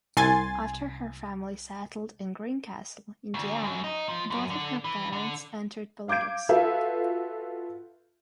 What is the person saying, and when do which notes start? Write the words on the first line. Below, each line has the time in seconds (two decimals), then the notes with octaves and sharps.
After her family settled in Greencastle, Indiana, both of her parents entered politics.
0.17 C2 G#5 C6 A6
3.34 D2
3.64 F#2
3.84 D#4
4.09 F3
4.30 F#2
4.50 D3
4.84 E3
5.13 D3
6.08 F5 D6 G6 G#6 D7
6.49 F4 F#4 A4 B4 E5 F5